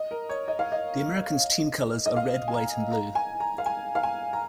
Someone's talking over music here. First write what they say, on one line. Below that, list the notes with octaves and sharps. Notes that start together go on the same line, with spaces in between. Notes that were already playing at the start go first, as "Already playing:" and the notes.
The Americans' team colors are red, white and blue.
Already playing: D#5
A#4
C#5
D#5
F5
D#5
D#5
F5
G#5
A#5
A#5
G#5
A#5
F5
G#5
F5
G#5
A#5